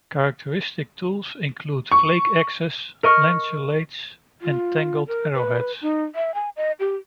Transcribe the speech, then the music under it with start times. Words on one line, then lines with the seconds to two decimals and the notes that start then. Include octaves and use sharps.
Characteristic tools include flake axes, lanceolates and tanged arrowheads.
1.92 C#6
3.03 A#4 D#5 C#6 F6
4.41 F4
5.08 A#4
5.34 B4
5.81 D#4
6.15 E5
6.34 G#5
6.56 D#5
6.80 G4